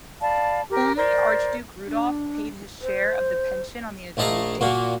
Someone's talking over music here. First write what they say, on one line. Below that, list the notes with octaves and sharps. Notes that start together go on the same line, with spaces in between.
Only Archduke Rudolph paid his share of the pension on the agreed date.
D5 F5 A5 B5
G4 A#4
A#4 C5 D5
D4
C5
A#1 A3 E4 D#5 F5 A#5
A#2 A#3 F#4